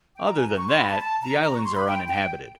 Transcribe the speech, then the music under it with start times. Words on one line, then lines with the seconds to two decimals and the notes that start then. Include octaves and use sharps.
Other than that, the islands are uninhabited.
0.15 G5
0.26 A#5
0.37 G#5
0.47 A#5
0.58 C#6
0.68 C6
0.79 B5
0.90 A5
1.00 A5
1.22 A#5
1.44 A#5
1.54 C#6
1.65 C6
1.76 B5
1.86 G5
2.08 G5